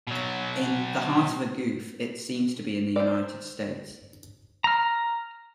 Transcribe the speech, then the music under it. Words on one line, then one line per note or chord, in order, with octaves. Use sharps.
In "The Heart of a Goof", it seems to be in the United States.
B2 F#3
C5 D5
A#5 F6